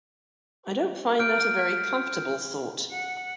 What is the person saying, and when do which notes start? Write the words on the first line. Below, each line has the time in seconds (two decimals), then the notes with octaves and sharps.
I don't find that a very comfortable thought.
1.19 F6 G6 D7
2.91 F#5